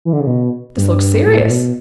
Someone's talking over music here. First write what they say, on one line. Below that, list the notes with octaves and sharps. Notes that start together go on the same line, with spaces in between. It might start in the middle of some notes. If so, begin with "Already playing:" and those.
This looked serious.
E3
D3
C#3
B2
G2
A2
A2
B2